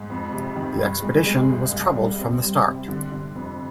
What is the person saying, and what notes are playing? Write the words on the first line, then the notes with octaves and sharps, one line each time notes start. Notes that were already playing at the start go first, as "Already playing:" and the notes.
The expedition was troubled from the start.
Already playing: G#2
F2
C3
D#3
G2
G#3
G#3
C2
C2
G3
C4
G3
C3
D3
D3
F2